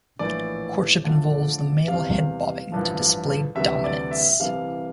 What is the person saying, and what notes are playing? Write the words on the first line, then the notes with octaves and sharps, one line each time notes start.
Courtship involves the male "head bobbing" to display dominance.
A#1 A2 E3 D5
D2 D3 F3
E2 C3 G3 F5
A1 G2 F3
D2 C3 E3 G3 E5
D5
E5
E5
C2 C3 E3 G3 F5